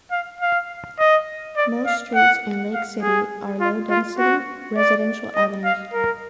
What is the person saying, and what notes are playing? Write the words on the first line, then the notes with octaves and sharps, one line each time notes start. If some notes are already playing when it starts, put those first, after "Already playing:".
Most streets in Lake City are low density residential avenues.
F5
F5
D#5
D5
F5
F#5
F5
G#4
F4
F4
F#4
D5
D#5
F5
A#4